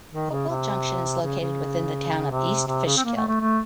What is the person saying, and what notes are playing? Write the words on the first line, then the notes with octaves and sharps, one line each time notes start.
Hopewell Junction is located within the town of East Fishkill.
D#3
C#3
C3
C#3
C#3
C3
C3
C#3
C4
A#3
A3
A3
A3